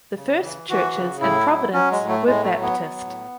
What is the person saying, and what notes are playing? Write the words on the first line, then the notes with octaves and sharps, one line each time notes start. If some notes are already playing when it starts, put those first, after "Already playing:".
The first churches in Providence were Baptist.
C#3
E3
E3 F#4
C#3
A2 E4
F#3
F#3 C#4
G#3
A2
A3
A2 G#3
A3
F#3
B3
F#3
A2